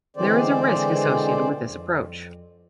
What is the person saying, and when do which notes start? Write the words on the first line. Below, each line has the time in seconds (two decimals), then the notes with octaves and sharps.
There is a risk associated with this approach.
0.17 D3 E3 G#3 C4 C5 D5
1.63 F2